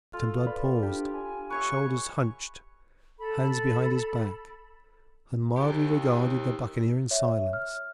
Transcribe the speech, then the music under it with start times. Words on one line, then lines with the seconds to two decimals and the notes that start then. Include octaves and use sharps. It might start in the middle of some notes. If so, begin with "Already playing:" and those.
Captain Blood paused, shoulders hunched, hands behind his back, and mildly regarded the buccaneer in silence.
0.13 F4 A4
0.47 B4 D5 B5
0.83 D4 G4
1.14 G#5
1.50 B4 C#5 E5 C#6
3.18 A4 B5
5.57 G4 A#4
7.11 C#5 E5
7.53 F6